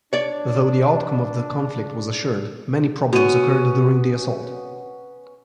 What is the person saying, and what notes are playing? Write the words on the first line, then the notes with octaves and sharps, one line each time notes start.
Though the outcome of the conflict was assured, many problems occurred during the assault.
D4 C#5 D5
B3 C#4 F#4 D#7